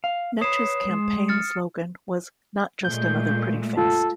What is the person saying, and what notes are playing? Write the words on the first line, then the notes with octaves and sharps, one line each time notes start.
Netsch's campaign slogan was Not just another pretty face.
F5
B4 C#5 D#6 C7 E7
G#3
F6 A6 C#7
A#2 G#3 A3 G6
F4 A4